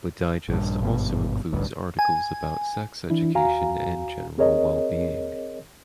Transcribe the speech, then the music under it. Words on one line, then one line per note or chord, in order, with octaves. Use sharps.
The digest also includes articles about sex education and general well being.
A#1 G2
G#1 G2 B2
E1 A1 D2 G2
G#5
E3 D4 E4
D#2 F#4 F5 G#5 A#5
C4 G#4 A#4 C#5 D#5